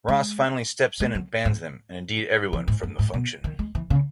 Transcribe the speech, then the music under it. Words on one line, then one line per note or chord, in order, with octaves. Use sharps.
Ross finally steps in and bans them, and indeed everyone, from the function.
G#3
G#3
F#3
G#2
E3
G#2
F#2
G#2
B2
D#3
G#3
E3
C#3